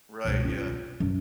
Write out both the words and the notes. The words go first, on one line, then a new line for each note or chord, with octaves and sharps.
Right, yeah.
C#2 B2
C#4 F4
F#2